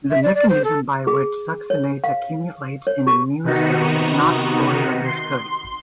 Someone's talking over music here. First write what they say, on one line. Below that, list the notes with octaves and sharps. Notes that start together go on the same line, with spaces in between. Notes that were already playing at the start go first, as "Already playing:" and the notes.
The mechanism by which succinate accumulates in immune cells is not fully understood.
E5
D5
D5
C5
A4
G#4
C#5
F5
C#5
G4
C3 D#3 B3 D#4 F#4
C6